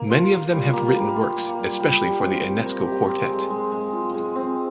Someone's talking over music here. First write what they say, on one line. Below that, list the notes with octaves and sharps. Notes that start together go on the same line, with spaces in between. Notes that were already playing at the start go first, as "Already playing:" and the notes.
Many of them have written works especially for the Enesco Quartet.
Already playing: A#3
F4
A#3
G3
A#3
G3
F4
A#3
G3
G3
G3
C4
G4
A#4
G4
C4
G#3
G#3
G#3
F4
G#3
C4